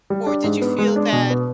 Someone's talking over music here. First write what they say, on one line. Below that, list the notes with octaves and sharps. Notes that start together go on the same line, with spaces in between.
Or did you feel that
G3
D4
G#2
B3
G#3
D4
B2
B3